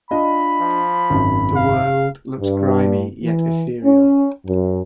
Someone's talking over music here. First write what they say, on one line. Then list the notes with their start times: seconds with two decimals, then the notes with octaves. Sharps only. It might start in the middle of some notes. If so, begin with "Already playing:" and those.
The world looks grimy, yet ethereal.
0.11 D4 F4 D#5 B5
0.60 F3
1.10 G#1 F#2
1.56 F5
2.40 G2
3.24 E3
3.84 C#4
4.46 F#2